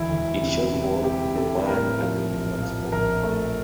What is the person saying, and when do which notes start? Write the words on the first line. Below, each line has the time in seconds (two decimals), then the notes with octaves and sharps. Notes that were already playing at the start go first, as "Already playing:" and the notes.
It shows both the man and the woman's point of view.
Already playing: E1 D2 E3 E4
0.11 E1
0.42 C3
0.73 C3
1.04 C3 G4
1.36 C3 A4
1.67 A2 A#4
1.99 F3
2.30 A#1
2.60 F3
2.92 A#1 A#4
3.23 A3